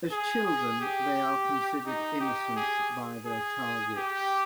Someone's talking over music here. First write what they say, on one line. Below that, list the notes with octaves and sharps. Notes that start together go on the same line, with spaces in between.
As children, they are considered innocent by their targets.
G#4
G#4
G4
D#4
G4
G#4
G#4
G4